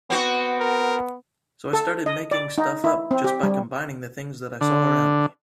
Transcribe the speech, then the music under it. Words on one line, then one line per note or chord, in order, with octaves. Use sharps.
So I started making stuff up just by combining the things that I saw around me.
B3 C4 F#4
A#4
A4
D#5
D5
D#4
E4
C4
G4
G3
D3